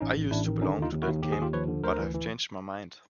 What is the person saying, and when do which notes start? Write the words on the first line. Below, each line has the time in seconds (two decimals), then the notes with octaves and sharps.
I used to belong to that camp, but I have changed my mind.
0.01 A1 C#4 D#4
0.16 A1
0.31 A1 D4 E4
0.46 D#3
0.62 D3 C#4 D#4
0.78 D#2 D#4 F4
0.92 D#2
1.02 E4 F#4
1.07 D#2
1.23 D#2 G4
1.32 G#4
1.38 D#2 F4 G4
1.53 F3 B4 C#5
1.68 D3
1.84 D2 A#4 C5
1.99 E3
2.14 E3